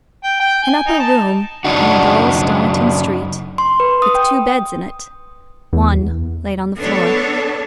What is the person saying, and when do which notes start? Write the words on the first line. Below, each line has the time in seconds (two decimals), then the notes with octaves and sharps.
AN upper room in a dull Stoniton street, with two beds in it--one laid on the floor.
0.24 G5
0.40 G5
0.62 G#5
0.87 D#4
1.00 A5
1.65 F#2 C#3 D4 D#4 F#4
3.58 C6
3.80 B4
4.02 D#6
4.15 G5
5.73 E2
6.78 B3 D4 A4 C#5